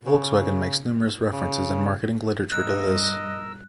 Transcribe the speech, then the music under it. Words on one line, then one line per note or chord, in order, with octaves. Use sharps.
Volkswagen makes numerous references in marketing literature to this.
C#3
C#3
G2 G3 A#4 D#5 E6 F#6